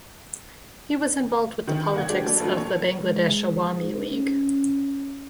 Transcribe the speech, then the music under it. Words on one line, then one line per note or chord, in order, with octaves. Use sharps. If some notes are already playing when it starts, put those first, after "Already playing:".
He was involved with the politics of the Bangladesh Awami League.
D#3
A#3 F#5 G#6
G#3 D4 F#4 G4
F#3 A3 D4
D2 F3 F#3
A#2 C#5
G#3
G#2
C#4